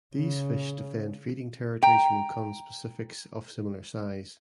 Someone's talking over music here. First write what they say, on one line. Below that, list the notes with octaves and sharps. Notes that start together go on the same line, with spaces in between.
These fish defend feeding territories from conspecifics of similar size.
C#3
G5 A#5